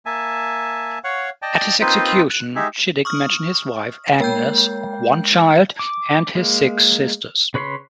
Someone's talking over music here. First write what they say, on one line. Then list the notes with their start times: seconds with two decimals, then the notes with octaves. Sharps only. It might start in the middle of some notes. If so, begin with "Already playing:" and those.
At his execution Chidiock mentions his wife Agnes, one child, and his six sisters.
0.06 A#3 E5 G#5 A5
1.04 C#5 F5 F#5 C#6
1.42 D5 D#5 G5 A5
1.81 A#3 C4 D#4 F4 B4 C5
2.30 F#6
2.55 G#3 D#4 G4 G#4 E5
3.05 C#6 D#6 F6
4.20 G#3 A#3 G5 G6
5.79 D6
6.35 G#3 A#3
7.54 C#3 B4 C#5 B5 C6